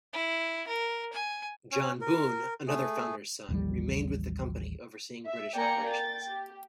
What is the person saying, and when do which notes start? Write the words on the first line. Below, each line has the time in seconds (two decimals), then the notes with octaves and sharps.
John Boon, another founder's son, remained with the company, overseeing British operations.
0.13 E4
0.67 A#4
1.13 G#5
1.72 C#4
2.01 A#4
2.68 A3 G#4
3.49 A1 D#2 F3 G3
5.25 E5
5.55 A#3 D5 G5 G#5 A#5 C#7
5.85 G5 A6
6.29 G4